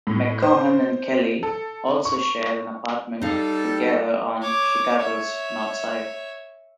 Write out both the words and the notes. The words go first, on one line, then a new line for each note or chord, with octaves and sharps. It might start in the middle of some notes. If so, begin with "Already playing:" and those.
McCaughan and Kelly also shared an apartment together on Chicago's north side.
A2
C5
A4
C#6
G3 D#4 A4 F5
C#5 D6
C#5 E5